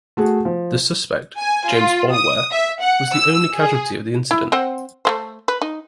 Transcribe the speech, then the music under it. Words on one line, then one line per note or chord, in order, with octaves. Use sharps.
The suspect, James Boulware, was the only casualty of the incident.
A3 F#4 G#4
F3
G#5
F4
D#6
E5
F#5
E6
G#4
E4
C4 C5 F#5
A3 A#3 C5
B4
D#4